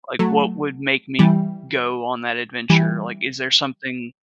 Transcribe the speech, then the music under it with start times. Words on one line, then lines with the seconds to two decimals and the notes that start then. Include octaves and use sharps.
Like, what would make me go on that adventure? Like, is there something
0.19 F#3 A3
1.19 E3 G3
2.70 E3 G3